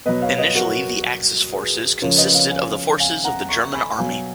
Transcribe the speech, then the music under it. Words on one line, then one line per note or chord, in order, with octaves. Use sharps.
Initially the Axis forces consisted of the forces of the German army.
B2 F#3 B4 D#5
C#5 F5
B4 D#5
F#4 A#4
G#4 B4
C#3 F3 A#4 C#5
B4 D#5
C#5 F5
F5 G#5
F5 G#5
F#5 A#5
A#5 C#6
G#5 B5
B2 F#3 F5 G#5